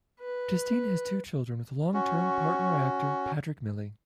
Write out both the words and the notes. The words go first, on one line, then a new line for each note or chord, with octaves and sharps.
Justine has two children with long-term partner actor Patrick Mille.
B4
C#4 F#4